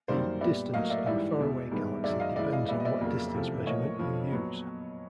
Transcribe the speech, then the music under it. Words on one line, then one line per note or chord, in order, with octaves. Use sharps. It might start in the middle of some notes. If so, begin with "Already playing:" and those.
The "distance" of a far away galaxy depends on what distance measurement you use.
F#2 D#3 G3 A#3 C5 D5
A#2 G3 B3 D5 E5
A2 F#3 A#3 D#5 F5
D5 E5
G#2 E3 G3 D5 E5
E2 B2 G#3
G2 D#3 G#3 B3
F#2 D#3 G#3 D5 E5
D#5 F5
C#3 E3 G#3 D5 E5
D#5 F5
A#2 G3 B3 D5 E5
D#5
D5 E5
F2 C#3 F#3 A#3
E2 C3 F3 A3
A2 F3 A#3 C#5 D#5
F2 D3 F3
A#2 F#3 B3